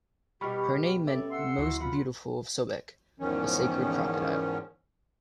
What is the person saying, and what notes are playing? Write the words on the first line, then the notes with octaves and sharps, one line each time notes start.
Her name meant "most beautiful of Sobek", the sacred crocodile.
B2 G3 G4 B5 C#6 F6
C#4 A4 D5 E5
F#5 C6 E6
D2 F#3 E4 F#4
F4 F#5 B5
E2 G#2 D#3 F3 C#4